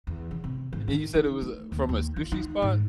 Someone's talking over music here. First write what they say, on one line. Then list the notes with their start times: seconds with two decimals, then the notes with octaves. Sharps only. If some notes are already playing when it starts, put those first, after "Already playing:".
And you said it was, uh, from a sushi spot?
0.07 E2
0.31 C#3
0.44 C3
0.73 G#2
0.88 D#3
1.15 D#4
1.42 A3
1.72 D#2
1.89 D#2
2.16 F4
2.32 D#4
2.62 G#2